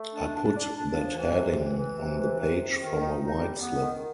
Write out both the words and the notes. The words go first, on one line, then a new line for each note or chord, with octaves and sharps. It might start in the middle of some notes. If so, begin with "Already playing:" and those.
I put that heading on the page from a white slip.
Already playing: A3
D4
D4
D4
D4
F3
E3
C3
E3
E3
C3
E3
C3
C3
D#3
D#4
D#4
G3
B3
D#3